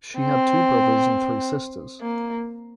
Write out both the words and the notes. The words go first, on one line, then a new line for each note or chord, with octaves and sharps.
She had two brothers and three sisters.
C4
A#3